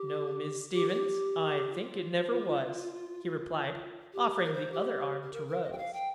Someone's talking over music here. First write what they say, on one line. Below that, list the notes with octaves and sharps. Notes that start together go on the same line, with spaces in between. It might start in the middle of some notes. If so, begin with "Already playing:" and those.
"No, Miss Stevens, I think it never was," he replied, offering the other arm to Rose.
Already playing: G4
G4
A#4
G4
F4
G4
G4
A#4
C5
G4
G4
A#4
A#4
D#5
G5
F5
G5